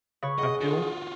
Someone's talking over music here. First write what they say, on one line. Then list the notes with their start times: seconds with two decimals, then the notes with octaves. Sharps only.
I feel.
0.23 C#3 B4 C#5
0.38 G#4 D#5 F#5
0.61 F4 F#4